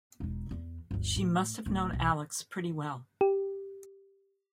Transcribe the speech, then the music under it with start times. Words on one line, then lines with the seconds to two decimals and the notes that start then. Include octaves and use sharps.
She must have known Alex pretty well.
0.20 E1 D#4
0.51 E2
0.91 G1 D2
1.16 A2
1.66 D1
1.93 B1
3.21 G4